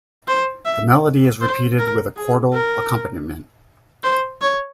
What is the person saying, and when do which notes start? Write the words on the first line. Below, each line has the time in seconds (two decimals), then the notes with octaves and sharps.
The melody is repeated with a chordal accompaniment.
0.28 C5
0.65 E5
1.41 C5
1.79 A#4
2.16 G#4
2.53 A#4
4.04 C5
4.41 C#5